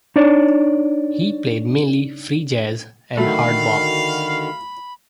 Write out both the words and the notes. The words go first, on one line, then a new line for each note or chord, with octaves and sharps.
He played mainly free jazz and hard bop.
D4 D#4 C#5 D5
D3 D#3 F#3 A3 F#4 F5 B5